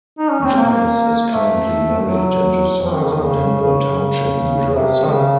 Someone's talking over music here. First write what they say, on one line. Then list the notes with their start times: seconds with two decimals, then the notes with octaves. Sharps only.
Janice is currently married and resides in Denville Township, New Jersey.
0.19 D#4
0.31 C#4
0.44 C4
0.56 A#3
1.32 A3
2.08 F#3
2.85 F3
2.94 D#3
3.03 C#3
3.12 D#3
3.22 C#3
3.60 C#3
3.98 C#3
4.69 C#3
4.74 C3
5.04 D#3
5.12 C#3